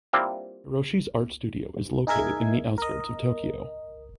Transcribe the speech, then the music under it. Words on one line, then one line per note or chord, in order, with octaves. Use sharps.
Haroshi’s art studio in located in the outskirts of Tokyo.
G3 A#3 C4 D4 E4 F4
D#4 G#4 A#4 E5 G#6
A#4 D#5